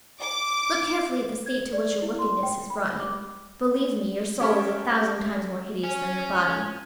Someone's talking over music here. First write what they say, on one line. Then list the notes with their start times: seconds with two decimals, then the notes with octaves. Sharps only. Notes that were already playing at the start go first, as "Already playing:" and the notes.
"Look carefully at the state to which your wickedness has brought you; believe me, your soul is a thousand times more hideous than your body."
0.21 D6
1.46 G#6
1.73 D5
2.02 E4
2.19 C6
2.43 G5
2.70 B5
3.00 D6
4.40 C#4 G4 A4 A#4 E5 B5
5.83 C#4